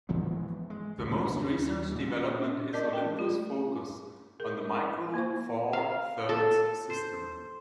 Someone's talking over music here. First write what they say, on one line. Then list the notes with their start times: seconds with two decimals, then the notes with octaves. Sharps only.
The most recent development is Olympus' focus on the Micro Four Thirds system.
0.09 G#2 E3 F3 B3
0.70 G#3
0.98 C#2 G#2 D#3
1.15 F2 C#3 A#3 D4
1.53 D#2
1.91 A#2 G#3
2.73 A#4 D5 D#5 A5 D6
2.91 D5 G5 A5
3.16 A3 F4
4.40 G#4 A#4
5.14 A#3 E4 C5 C#6
5.73 F5
6.29 A4
6.90 C5